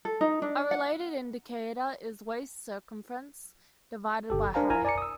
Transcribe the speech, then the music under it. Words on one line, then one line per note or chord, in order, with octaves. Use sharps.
A related indicator is waist circumference divided by height.
A4
D#4
D4
F#5
G1 G4 A4
D4 A#4 C5 F5 G#5 A#5
E4 A#4 G#5 A#5
D5 G#5 A#5 D6 C#7
D#6 E6